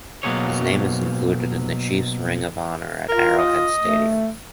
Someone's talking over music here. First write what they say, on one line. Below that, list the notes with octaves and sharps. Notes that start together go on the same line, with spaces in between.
His name is included in the Chiefs' ring of honor at Arrowhead Stadium.
B2 F#3 A#3 C4 G#4 C#5
F4 A#4
D#5
A3